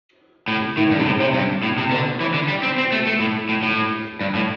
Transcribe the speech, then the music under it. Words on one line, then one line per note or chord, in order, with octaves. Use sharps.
The tree was rotting from the ground up and was beginning to lean dangerously.
A2
A2
G2
C3
A2
C3
G2
A2
C3
D3
E3
D3
G3
C4
C4
A3
A3
A2
A2
A2
G2
A2